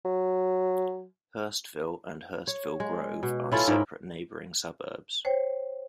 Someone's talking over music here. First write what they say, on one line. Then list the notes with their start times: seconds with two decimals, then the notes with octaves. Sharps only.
Hurstville and Hurstville Grove are separate neighbouring suburbs.
0.05 F#3
2.47 C#5
2.80 G#3
3.23 B2
3.52 C#4 E4 F4 A4
3.68 G#2 E4 A#4 G5
5.25 C5 C#5 G5